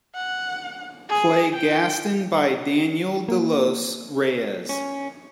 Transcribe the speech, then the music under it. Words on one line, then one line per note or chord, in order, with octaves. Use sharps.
Play Gaston by Daniel De Los Reyes.
F#5
G#4
G5
A#3
C#4